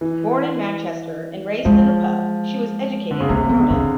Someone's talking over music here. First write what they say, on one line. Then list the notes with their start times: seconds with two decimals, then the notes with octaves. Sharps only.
Born in Manchester and raised in a pub, she was educated at Roedean.
0.01 E3
1.65 F3 G#3
3.11 D3
3.20 C#3
3.29 C3 A#3
3.49 B3
3.61 D3
3.70 C#3 C4